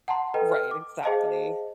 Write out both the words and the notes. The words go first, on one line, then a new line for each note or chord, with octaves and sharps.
right, exactly.
F#5 A5 A#5 C6
A4 B4 D#5 G5
F6
D6
G#4 C5 D#5 F5 A5